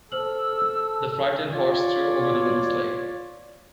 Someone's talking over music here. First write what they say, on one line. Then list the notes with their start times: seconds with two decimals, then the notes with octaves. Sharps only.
The frightened horse threw over the little sleigh.
0.12 A4 C5 E6 F6 F#7
1.51 F4 C#5 D5